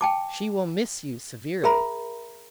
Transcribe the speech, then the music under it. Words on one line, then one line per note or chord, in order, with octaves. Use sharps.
"She will miss you severely."
G5 A5 D6
G#4 A#4 E5 A#5 B5